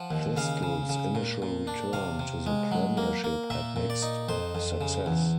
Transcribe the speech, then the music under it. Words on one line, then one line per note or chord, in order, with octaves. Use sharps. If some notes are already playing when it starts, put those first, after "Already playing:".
Thistle's initial return to the Premiership had mixed success.
Already playing: F3 F#5
D#2
C#3 F5
C#3
C#3
A#2
A#2
D4
C3 F5
C3
G#3
F#3
A#3
A#3
A#2 E5
A#2
D5
D#4
F2 C5
F2
C#3
E2